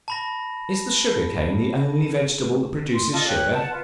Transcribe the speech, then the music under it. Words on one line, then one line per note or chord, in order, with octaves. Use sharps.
Is the Sugar Cane the only vegetable that produces Sugar?
A5 B5 A#6
C6
F4 A4 D5 D#5
G4 C#5 F#6
F#5 A5
F4 B4